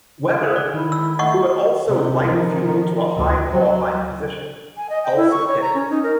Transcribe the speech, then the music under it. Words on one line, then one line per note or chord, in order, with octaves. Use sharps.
Webber, who had also light-fueled to a high qualifying position, also pitted.
G#4 E5 F#5
D5
D#3 E4
E6
A3 D#5 F#5 C#6
C3
D#3 F3
D2
F#3
G#5
D#5
G5
E4
C#6
C#5
A#5
C#4
D#4
A#4